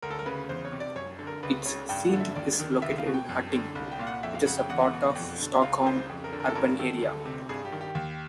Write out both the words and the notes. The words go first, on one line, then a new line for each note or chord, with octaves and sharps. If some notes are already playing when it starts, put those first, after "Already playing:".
Its seat is located in Huddinge, which is a part of Stockholm urban area.
D2 A#4
A4
A#4
C#3 B4
E2 C5
C#5
C3
D5
F#2 C#5
D3
A#4
C#2 B4
C#3 C#5
G2 G5
F#5
D3
E5
D#2 D5
D#3
C#2 E5
F5
B2
G5
F#2
D3
C2
G5
A#2 F5
F#5
F2 E5
F5
C#3 F#5
G5
E2 F#5
B2
F2
D3
C#2 F5
C#3 C5
F2
A#4
D3
A#4
A4
G2 A#4
D#3 A4
D2
C3
G2 G#4
G4
D#3
G4
D#2